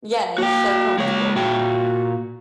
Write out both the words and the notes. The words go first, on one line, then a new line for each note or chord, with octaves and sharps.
Yeah, it's so comfortable.
A#3 F#4 G5
G#3 C#5
A#2 F#4 G5